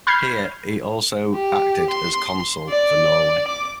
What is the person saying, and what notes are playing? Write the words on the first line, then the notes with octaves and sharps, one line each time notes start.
Here he also acted as Consul for Norway.
B5 F6 G6 G#6 C7
G4
C6
D5
D6